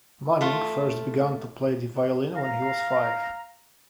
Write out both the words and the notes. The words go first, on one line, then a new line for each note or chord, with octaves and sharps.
Manning first began to play the violin when he was five.
A3 F4
F5 A#5